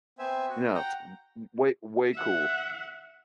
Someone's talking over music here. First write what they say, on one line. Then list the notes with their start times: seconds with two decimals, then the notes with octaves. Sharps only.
Yeah, it's w w way way cool.
0.19 B3 C4 C5 E5 G#5 E6
0.49 F#4
0.75 F#5 G5 A#5
2.14 E5 F#5